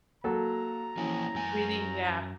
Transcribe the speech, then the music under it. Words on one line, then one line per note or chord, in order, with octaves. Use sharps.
breathing Yeah,
F#3 A#3 A4 A#5
E3 F3 A#3 C#4 G#5
F#2 G#5